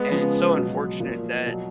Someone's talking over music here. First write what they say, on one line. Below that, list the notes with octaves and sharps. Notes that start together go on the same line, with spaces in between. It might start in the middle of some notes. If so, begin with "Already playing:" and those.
and it's so unfortunate that
Already playing: G#3 B3
C#3 F3
B2 F#3
A#2 F3
B2 F#3